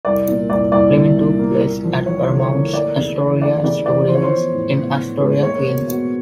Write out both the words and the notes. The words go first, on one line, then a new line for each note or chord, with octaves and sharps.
Filming took place at Paramount's Astoria Studios in Astoria, Queens.
C2 D5
A#2
C2 D5
C2 D5
C2
A#2
A#3
A#3
F3
F3 C#5
D3
C#5
A#3
A3 D5
C#3
E3
A3 D5
C#3 D5
E3 D5
F3 C5
C#5
C5
B3
A2
B3
B3
G#3
A#3 C#5
B2
B2